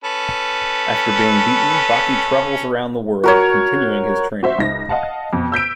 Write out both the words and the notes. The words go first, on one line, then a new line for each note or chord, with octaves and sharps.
After being beaten, Baki travels around the world continuing his training.
C#4 A4 B4
F#4 A#4 C#5
F#4 C5 E5
C#2 D#4 A#6
D#5 F5 F#5 A5
F2 B2
E6 G6 B6 D7